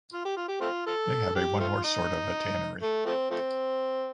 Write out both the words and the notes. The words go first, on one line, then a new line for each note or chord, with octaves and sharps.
They have a one-horse sort of a tannery.
F4
G4
F4
G4
A3 C4 F4
F4 A4
G4
A3 C4 F4
D#4
A3
F3 A3 C4
F3 A3 C4